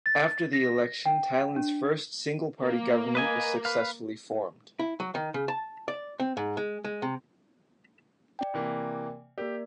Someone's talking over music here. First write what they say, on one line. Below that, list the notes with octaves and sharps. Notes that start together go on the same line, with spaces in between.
After the election, Thailand's first single party government was successfully formed.
A6
A#6
G5
D4
A#3
B4 D#5 G#5
B4 F5
E4
F#3
D#3
C#3
A5
D5
C4
G#2
G#3
G#3
C3
D5 G5
C3 E3 A#3
A#3 G4 A#4 D5